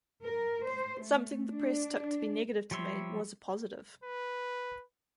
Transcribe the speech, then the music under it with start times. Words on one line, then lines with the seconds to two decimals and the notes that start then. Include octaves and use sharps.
Something the press took to be negative to me was a positive...
0.21 A#4
0.66 C5
0.99 A3
1.49 D4
2.71 F3 G3 C#5 E5 C6
4.04 B4